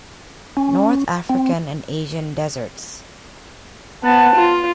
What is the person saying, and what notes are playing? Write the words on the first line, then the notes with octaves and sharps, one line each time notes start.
North-African and Asian deserts.
C#4
C4
B3 C5 F#5 A5
F4